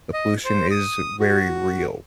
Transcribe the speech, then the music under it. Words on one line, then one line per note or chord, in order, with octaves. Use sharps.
the pollution is very real.
D#5
C5
D#6
F#4